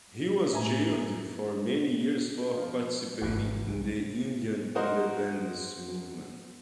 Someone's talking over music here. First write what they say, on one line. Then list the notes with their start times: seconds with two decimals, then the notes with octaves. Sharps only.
He was jailed for many years for participating in the Indian independence movement.
0.53 A2 E5 G#5 A#5
2.57 F3
3.22 G#1 E2 G2 B2 C#4 F#6
3.58 C2
4.75 D#4 F#4 A#4 C5 D#5